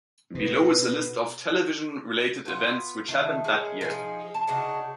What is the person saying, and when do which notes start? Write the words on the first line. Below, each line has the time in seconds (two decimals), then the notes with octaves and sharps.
Below is a list of television-related events which happened that year.
0.35 B2 B4
2.46 B3 F4
3.08 D#3 A3
3.44 G#3 C#4 A#4
3.81 F3 D#4 G#4
4.34 A5
4.47 C#3 D4 D#4 F#4